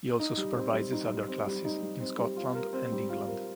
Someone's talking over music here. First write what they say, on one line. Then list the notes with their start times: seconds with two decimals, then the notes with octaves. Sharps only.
He also supervises other classes in Scotland and England.
0.19 D#4
0.37 G3
0.55 C4
0.73 G3
0.92 D#4
1.10 G3
1.28 C4
1.46 G3
1.65 D#4
1.83 G3
2.00 C4
2.19 G3
2.37 F4
2.55 A#4
2.73 C4
2.92 G3
3.09 F4
3.28 A#4